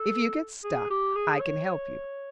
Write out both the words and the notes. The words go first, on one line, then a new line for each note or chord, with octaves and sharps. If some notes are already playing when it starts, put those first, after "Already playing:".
If you get stuck I can help you.
Already playing: A4
G#4
G4
G#4
C#5